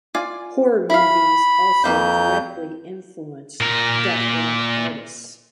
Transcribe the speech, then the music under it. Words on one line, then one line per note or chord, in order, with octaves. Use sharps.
Horror movies also directly influenced deathrock artists.
F4 D5 G#5
E4 F5 B5
F2 D#3 A#3 B4 G6
A#2 A#4